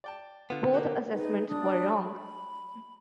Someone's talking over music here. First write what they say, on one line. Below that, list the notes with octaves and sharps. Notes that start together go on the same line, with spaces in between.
Both assessments were wrong.
D5 G5 A5
D3 B3 F4
A#3 F#4 G4 A#4
D#4 G#4 B4
D4 D#6
B5